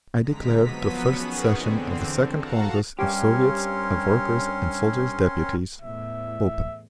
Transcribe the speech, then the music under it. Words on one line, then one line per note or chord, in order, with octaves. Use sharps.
"I declare the first session of the Second Congress of Soviets of Workers' and Soldiers' Deputies open!"
F2 D3 G#3 A#5 B6
F3 F#3 B3 B6 D#7
D#3 B3 C#4 F#4 G#4
E2 D3 C4
F#4 A4 F5 F#5 A5 A#5
G2 G3 C4 C#4 G4 A#4 C#5 C6
E2 A2 E5